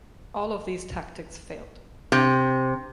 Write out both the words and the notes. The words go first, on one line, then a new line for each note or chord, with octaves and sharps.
All of these tactics failed.
C3